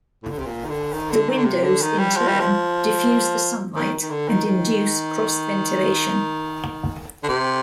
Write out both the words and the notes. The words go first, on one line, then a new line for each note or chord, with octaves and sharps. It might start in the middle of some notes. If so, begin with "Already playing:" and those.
The windows, in turn, diffuse the sunlight and induce cross ventilation.
A2
D3
C3
A#2
D#3
D3
D#3
D3
D#3
D3
C3
D3
D#3
G3
F3
G3
F3
D#3
D#3
D3
D#3
D#3
D3
C3